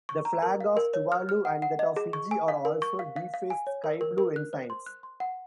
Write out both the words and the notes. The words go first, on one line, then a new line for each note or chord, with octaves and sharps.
The flag of Tuvalu and that of Fiji are also defaced sky blue ensigns.
C#6
A#5
A#4
F5
A#4
C#5
F6
F6
F#5
F#5
D#5
G#4
C#6
G#5
F5
A#4
C#6
F5
F5
F5
G#5
C#5
A#4
A#4
A#4
F#6
C5
C6
F#6
C6
F#5